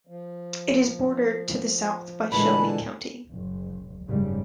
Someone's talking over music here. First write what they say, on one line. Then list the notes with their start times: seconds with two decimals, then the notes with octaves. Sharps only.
It is bordered to the south by Shelby County.
0.07 F3
2.32 A#2 D3 E3 G#3 A5 B5
3.31 F#1
4.07 F#1 G#2 C#3 G3